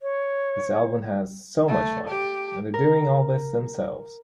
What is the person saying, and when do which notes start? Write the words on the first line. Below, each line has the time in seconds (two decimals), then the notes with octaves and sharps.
This album has so much life and they're doing all this themselves.
0.02 C#5
1.68 A3
2.09 G4
2.74 A#4